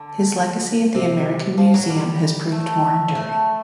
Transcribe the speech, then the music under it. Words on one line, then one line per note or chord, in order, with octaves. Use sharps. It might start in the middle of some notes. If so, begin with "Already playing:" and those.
His legacy at the American Museum has proved more enduring.
Already playing: D3
C3
F3
F#3
G3
A3
A3